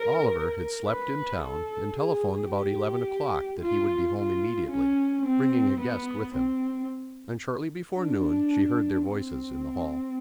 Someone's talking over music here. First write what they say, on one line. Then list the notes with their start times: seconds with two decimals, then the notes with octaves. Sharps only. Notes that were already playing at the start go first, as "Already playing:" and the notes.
Oliver had slept in town and telephoned about eleven o'clock that he would be home immediately, bringing a guest with him: and shortly before noon she heard their voices in the hall.
Already playing: A#4
0.87 B4
1.42 A4
1.97 G#4
2.51 G4
3.60 F4
4.16 F4
4.70 C#4
5.26 C4
5.80 B3
6.35 C4
8.00 D4
9.09 C4